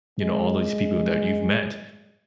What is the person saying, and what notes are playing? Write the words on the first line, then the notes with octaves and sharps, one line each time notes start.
you know, all these people that you've met,
G#3